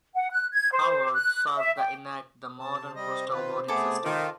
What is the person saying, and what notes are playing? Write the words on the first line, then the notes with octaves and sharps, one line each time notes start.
Howarth served to enact the modern postal voting system.
F#5
F#6
G#6
C5
F#6
E5
G5
C3 C5 A5
G3 D#5
D#3 F4 B4
A3 B3 G#4 A4 D6
D#3 F4